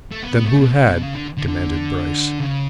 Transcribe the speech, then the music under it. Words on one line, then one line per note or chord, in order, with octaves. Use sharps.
"Then who had?" demanded Bryce.
A3
B3
B3
A3
B2
C#3
B2
C#3
D3
D3
D3
C#3